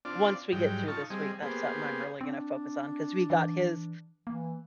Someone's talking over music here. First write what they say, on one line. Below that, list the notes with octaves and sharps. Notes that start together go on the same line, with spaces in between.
once we get through this week, that's something I'm really gonna focus on, 'cause we got his
C4 D4 F4 D5
G#2 F#3 G3 D#4 G5
D#4 F4 A5 C#6
G3 C4 G#4 D#5
A#3 B3 G4 G#4 C5
C4 D4
E3
E3 A#3